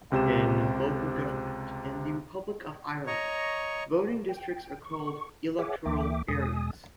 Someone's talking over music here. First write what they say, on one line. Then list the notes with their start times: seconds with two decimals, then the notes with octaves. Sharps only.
In local government in the Republic of Ireland voting districts are called "electoral areas".
0.12 C#2 C3 G4 C5 E7
3.07 C#5 D#5 A#5 C#6
4.29 G5
4.84 C#6
5.59 G#4 C#5 E5 F#5 G#5 D6
5.86 D2 E3 A#3 E5 G5 D6
6.28 E2 B2 G#3 G#5 D#6